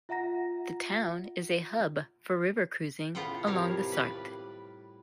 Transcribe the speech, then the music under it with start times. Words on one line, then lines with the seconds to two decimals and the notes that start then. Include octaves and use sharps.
The town is a hub for river cruising along the Sarthe.
0.09 F4 E5 F#5 A#5 A#6
3.15 A2 B3 F4 F#5 G5
3.46 A2 C3 G3 A#4 C#5 F5
3.92 B4 D5